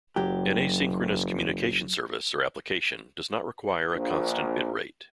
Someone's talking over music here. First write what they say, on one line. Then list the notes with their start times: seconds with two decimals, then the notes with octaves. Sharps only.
An asynchronous communication service or application does not require a constant bit rate.
0.16 F#1 F#3 G4
3.95 A#1